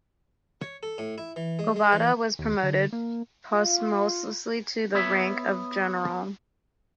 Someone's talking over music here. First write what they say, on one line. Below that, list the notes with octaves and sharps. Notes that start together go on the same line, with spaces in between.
Obata was promoted posthumously to the rank of general.
C#5
A4
A2
E4
E3
G#3
G#3
E3
D#2
D3
A#3
F4
B3 C#5 E5